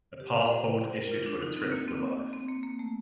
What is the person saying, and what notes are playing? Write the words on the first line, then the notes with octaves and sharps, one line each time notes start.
A passport issued for the trip survives.
G4
F4
C5
D5
C5
A#4
F4
D4
D#4
C4
A#3
C4
C4
A#3
A#3
A3